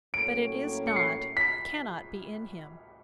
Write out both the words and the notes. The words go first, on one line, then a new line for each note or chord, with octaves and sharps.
But it is not, cannot be in him.
A2 F#3 A#3 C#4 D7
C#7
C7
B6